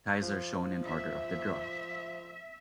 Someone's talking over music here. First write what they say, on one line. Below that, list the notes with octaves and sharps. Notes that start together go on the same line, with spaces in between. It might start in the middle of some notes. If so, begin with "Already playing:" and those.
Ties are shown in order of the draw.
F3
E5